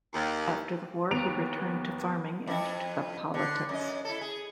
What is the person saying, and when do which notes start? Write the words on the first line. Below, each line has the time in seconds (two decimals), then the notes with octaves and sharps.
After the war he returned to farming and took up politics.
0.14 D#2
1.11 D#2 B3 A#5 D7 F7
2.47 F2 E4
3.34 D3
3.69 F#2 D#5
4.05 E4 A4
4.21 G#4